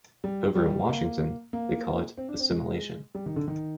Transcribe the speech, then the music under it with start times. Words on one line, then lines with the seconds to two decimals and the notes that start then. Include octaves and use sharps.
Over in Washington, they call it Assimilation.
0.24 G3
0.56 G3
0.89 A#3
1.53 A#3
2.17 C4
2.29 D4
2.39 C4
2.50 G#3
3.15 G3
3.26 D#3
3.36 D3
3.48 D#3